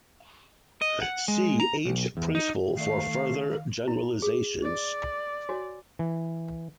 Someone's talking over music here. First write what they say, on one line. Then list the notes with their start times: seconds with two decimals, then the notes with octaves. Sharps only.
See "h"-principle for further generalizations.
0.81 D#5
1.02 F#5
1.28 G#3
1.60 A#5
1.85 B1
2.17 E2
2.35 D#4
2.77 D#3 A3 D5 F5 C7
3.88 E4
4.22 G#4
4.63 D5
5.49 F#4 C#5 G#5
5.99 E3